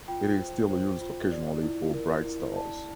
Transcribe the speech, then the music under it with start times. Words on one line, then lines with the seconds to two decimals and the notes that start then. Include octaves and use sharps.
It is still used occasionally for bright stars.
0.08 F4 G5
0.39 C5
0.70 C5
1.01 F4
1.32 D5
1.63 E4
1.93 A#4
2.25 E4
2.55 D5 A5